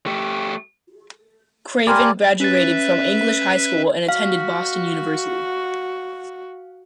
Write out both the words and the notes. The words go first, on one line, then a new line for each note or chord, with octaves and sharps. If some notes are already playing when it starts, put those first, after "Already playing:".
Craven graduated from English High School and attended Boston University.
A3 G4
G4 A#4 D5 G#5 B5 C6 F6
C#4 B4 E5 A6
F#4 F5